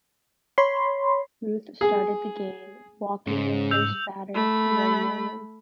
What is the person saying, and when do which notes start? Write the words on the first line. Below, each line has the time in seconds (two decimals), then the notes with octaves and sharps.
Ruth started the game, walking the first batter, Ray Morgan.
0.58 C#5 B5 C6
1.81 G#4
3.27 G#2 C#3
3.71 E6 G6 F7
4.34 A3 B5